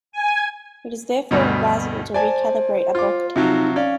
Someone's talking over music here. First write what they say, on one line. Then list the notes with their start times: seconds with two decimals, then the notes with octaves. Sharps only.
It is therefore advisable to re-calibrate a bulk tank.
0.12 G#5
1.31 D2 G2 B2
2.14 C5 D5 G#5 A5
2.95 F4 D6
3.36 C3 F3 F#3 D#4
3.76 C#4 D5 F5